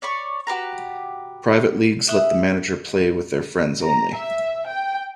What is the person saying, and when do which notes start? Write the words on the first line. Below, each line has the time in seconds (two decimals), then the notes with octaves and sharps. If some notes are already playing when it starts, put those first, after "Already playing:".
Private leagues let the manager play with their friends only.
0.02 C#5 D5 B5 C#6
0.47 F#4 G4 B4 A#5
2.08 E5 D#6 F#6
3.82 A#5
4.15 E5
4.68 G5